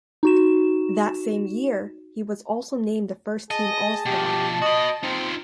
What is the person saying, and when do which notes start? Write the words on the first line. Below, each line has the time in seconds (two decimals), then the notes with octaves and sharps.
That same year, he was also named a First Team All-Star.
0.23 D#4 F#4 E7
3.51 G#4 D#5 A5
4.06 B2 F3 G4
4.62 F#4 D#5 B5
5.03 C4 D#4 F4